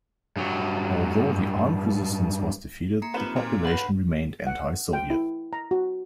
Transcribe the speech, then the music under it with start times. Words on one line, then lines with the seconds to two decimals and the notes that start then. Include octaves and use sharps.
Although the armed resistance was defeated, the population remained anti-Soviet.
0.36 G2 F#3
3.02 A#3 A#5 C#7
3.14 C3 D#3 F3 B4 E7
3.36 A#2
3.65 G1 B4 F#5 B5
4.47 F#5
4.93 G5
5.10 E4
5.53 A#5
5.71 F#4